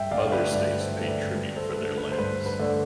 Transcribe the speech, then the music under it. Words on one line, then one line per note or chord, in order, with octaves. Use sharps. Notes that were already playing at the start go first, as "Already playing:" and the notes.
Other states paid tribute for their lands.
Already playing: G2 E5 G5
D3 A3 D5 F5
E5
B4 D5
G2 B4 D5
C5 E5
D3 A3
E5
B4 D5
G2 B4
A4 C5
B4
D3 A3 D4 A4
B4
C5
G2 B4
B4
D3 A3 D4